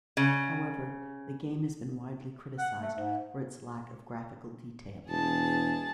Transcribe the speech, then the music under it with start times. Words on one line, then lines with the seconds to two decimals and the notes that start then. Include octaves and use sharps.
However, the game has been widely criticized for its lack of graphical detail.
0.17 C#3
2.59 F#5
2.80 A3
2.96 G#2
5.09 E1 G#4 A5